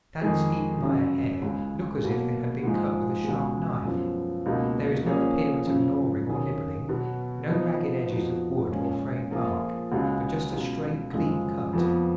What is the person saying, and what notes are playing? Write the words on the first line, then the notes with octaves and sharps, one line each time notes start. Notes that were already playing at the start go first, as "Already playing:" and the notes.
Plants eaten by a hare look as if they had been cut with a sharp knife; there is no appearance of gnawing or nibbling, no ragged edges of wood or frayed bark, but just a straight clean cut.
F2 D#3 G#3 D#4 G#4
F#2 C#3 F#3 C#4 F#4
C#2 C#3 G#3
B2 F#3 A#3
G#2 F3 G#3
C#2 B2 G#3
F#2 F3 B3
C#2 B2 A#3 D#4
F3 A#3 C#4 G#4
F#2 C#3 F3
D#2 D#3 F#3 C#4 G#4
B2 F#3 B3 F#4
F3 B3 D#4
F2 F3 B3 D#4 F#4
A#2 G#3 C#4 F4
F3 A#3 F4 G#4
C#2 C#3 G#3 C#4 F#4
C#2 B2 F#3
F#2 C#3 F3 G#3
F2 F3 B3